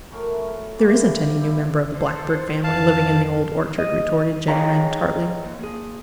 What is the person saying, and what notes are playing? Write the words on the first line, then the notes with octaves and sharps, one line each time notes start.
"There isn't any new member of the Blackbird family living in the Old Orchard," retorted Jenny Wren tartly.
E3 F#3 A3 A#4
C3 E3 A#3 G4
G3 E4 G4
A4 C5
F2 D3 F5 A5
D#5
G#4 C#5 D#5 F5 G5 A#5
D#2
A#3 G#4